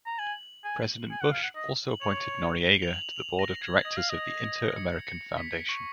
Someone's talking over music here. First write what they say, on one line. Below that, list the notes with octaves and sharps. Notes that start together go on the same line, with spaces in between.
President Bush also appointed Noriega to the Board of Directors of the Inter-American Foundation.
A#5
G#5 F#7
G#5
G#5
F#5
F5
F#5
D#5
F#7
C#5 F7
F7
F#7
F7
A#6
G#6
D#5 A#6
F5
D#5
C#7
C#7
B6
C#6